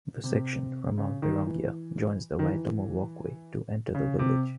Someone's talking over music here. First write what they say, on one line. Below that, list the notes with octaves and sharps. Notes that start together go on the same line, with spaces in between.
The section from Mount Pirongia joins the Waitomo Walkway to enter the village.
C3
C#3
D#3
E3
D#3
E3
C#3
C3